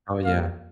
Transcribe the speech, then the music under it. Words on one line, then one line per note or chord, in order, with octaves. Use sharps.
Oh, yeah.
A#2 G3 A#3 F4 F5